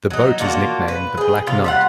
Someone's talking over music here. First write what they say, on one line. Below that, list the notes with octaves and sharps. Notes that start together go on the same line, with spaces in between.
The boat is nicknamed "The Black Knight".
F#3 D#4
A#3 D4 F4 F#4
B4
G#4 G5
C3 F4 F5
G3 F4 F#5